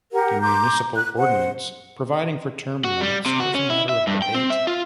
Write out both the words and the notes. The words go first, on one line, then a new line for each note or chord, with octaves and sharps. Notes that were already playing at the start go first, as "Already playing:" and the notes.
The municipal ordinance providing for term limits was a matter of debate.
G4 A#4 F#5
A#5 C6 D6 G6
F#6
C5 F#5
F#4
G3
C3
F#4
C#4
E4
E5
G2
G5
C4
E5
F4